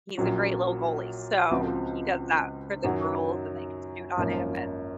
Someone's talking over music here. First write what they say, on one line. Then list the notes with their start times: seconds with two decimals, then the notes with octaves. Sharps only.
he's a great little goalie. So he does that for the girls and they can shoot on him and
0.17 A#1 A#2 F#3 C#4 F#4
1.51 C#2 C#3 F3 C4 F#4
2.84 F#2 D#3 F#3
4.17 G#1 F#2 F3 A#3 C#4